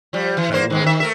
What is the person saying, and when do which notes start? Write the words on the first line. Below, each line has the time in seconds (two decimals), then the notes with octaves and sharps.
I wanna"
0.13 F3 G3
0.37 E3
0.51 E2 A#3 C5
0.70 D#3 G#3 B3
0.84 D#3 E5
1.00 A3 A#4 E5